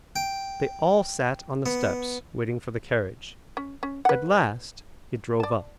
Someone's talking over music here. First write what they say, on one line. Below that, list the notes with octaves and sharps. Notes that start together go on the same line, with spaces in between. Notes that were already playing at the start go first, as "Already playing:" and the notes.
They all sat on the steps waiting for the carriage. At last it drove up.
G5
B3
C#4
C#4
B4 F#5
D5 A5